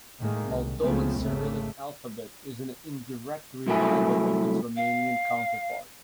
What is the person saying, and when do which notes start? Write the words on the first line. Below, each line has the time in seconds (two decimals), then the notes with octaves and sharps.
Moldovan Cyrillic alphabet is an "indirect" revival of its Romanian counterpart.
0.19 A2 D#3 G#3 A#3
0.49 C2
0.80 C#2 C#3 F3 A3 B3 C4
1.18 G#1 D#2 C#3 A3
3.67 C2 F#3 A3 E4 G#5
4.76 F5